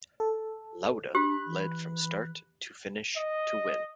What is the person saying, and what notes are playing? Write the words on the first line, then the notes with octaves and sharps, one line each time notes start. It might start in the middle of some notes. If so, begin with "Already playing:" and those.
Lauda led from start to finish to win.
A4
D4 G4 B5 F#6
E3
D#5